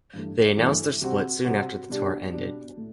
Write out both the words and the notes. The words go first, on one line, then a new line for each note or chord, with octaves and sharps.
They announced their split soon after the tour ended.
G2 E3 A3
G2 E3 A3
C3 G3 C4 F#4
C3 G3 C4 F#4
B2 G3 D4 G4
B2 G3 D4 G4
A2